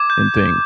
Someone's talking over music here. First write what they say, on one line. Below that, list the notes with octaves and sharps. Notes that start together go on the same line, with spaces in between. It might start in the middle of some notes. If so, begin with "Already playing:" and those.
and think
Already playing: D6 G#6
G6